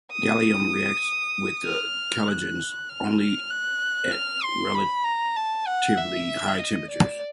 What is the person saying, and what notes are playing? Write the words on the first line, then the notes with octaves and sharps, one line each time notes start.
Gallium reacts with the chalcogens only at relatively high temperatures.
D#6
F6
F#6
F6
F6
F#6
F6
C6
B5
A#5
A5
F#5
E5
D#5
D5